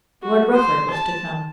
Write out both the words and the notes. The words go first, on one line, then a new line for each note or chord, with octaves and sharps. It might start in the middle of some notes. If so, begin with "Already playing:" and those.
Lord Rufford was to come.
F#4
C5
A5